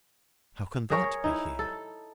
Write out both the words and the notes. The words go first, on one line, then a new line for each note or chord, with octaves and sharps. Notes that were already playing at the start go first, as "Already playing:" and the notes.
How can that be here!
G#4 A#4 C#5
D#4 E4
A4